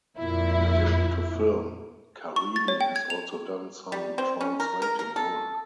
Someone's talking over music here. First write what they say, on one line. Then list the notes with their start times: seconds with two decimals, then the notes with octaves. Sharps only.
In addition to film, Karimi has also done some translating work.
0.17 F2 A#2 E4
2.36 C#6
2.56 A6
2.68 C#5
2.81 G5
2.96 G#6
3.10 F7
3.92 G3
4.18 C4
4.41 C#4
4.60 A#4
4.82 A#4
4.99 A#4
5.16 A4